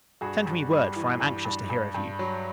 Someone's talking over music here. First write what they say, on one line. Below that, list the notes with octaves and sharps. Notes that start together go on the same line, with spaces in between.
Send me word, for I am anxious to hear of you.
G2 F#4 G#4
G2
G3
E3
G2
G2
G2
G2
F#3